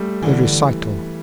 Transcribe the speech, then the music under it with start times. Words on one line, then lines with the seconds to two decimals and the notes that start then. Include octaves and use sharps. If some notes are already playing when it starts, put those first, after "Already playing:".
The Recital.
Already playing: G3 A3
0.22 D3 E3